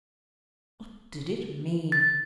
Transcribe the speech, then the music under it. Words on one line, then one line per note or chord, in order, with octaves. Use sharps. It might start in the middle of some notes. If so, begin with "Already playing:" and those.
What did it mean?
A6